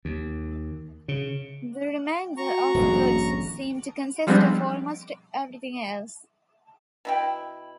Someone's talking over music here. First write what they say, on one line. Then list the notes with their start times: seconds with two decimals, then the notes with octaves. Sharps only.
The remainder of goods seem to consist of almost everything else.
0.05 D#2
1.08 C#3
2.37 F#4 A#5 C#6
2.74 D#1 A#1 G#2
4.27 F3 G3 G#3 B3 C4 D4
7.05 B2 E4 G5